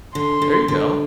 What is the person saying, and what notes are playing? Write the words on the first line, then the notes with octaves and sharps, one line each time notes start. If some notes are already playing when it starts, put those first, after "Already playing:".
There you go.
D3 C6
D3
D3